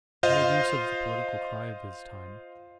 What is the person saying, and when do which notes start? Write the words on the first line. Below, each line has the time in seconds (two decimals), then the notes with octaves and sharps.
He made use of the political cry of his time.
0.23 F4 C5 D#5 F5